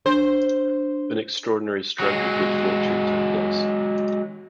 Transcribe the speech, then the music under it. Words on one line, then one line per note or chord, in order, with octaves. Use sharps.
An extraordinary stroke of good fortune took place.
D4 C5
F#3 G#3